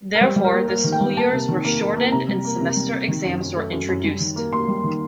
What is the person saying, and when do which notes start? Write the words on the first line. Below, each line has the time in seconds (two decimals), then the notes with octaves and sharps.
Therefore, the school years were shortened and semester exams were introduced.
0.15 A#4
0.21 G3 C5
0.36 G3
0.44 A#4
0.53 A#3
0.68 A#3 A#4
0.84 D#3
0.92 G5
1.01 G3
1.17 A#3 A5
1.32 C3
1.49 D#3
1.65 A#3
1.81 A#3
1.96 A#3
2.12 C3 A#5
2.28 G3
2.45 A#3
2.61 C3
2.77 G3
2.92 C3
3.08 D#3
3.25 F#2
3.41 F#2
3.56 A3
3.73 F#2
3.89 F#2
4.04 G3
4.20 D#3
4.36 A#3
4.52 A#3 C6
4.68 G3
4.84 D#3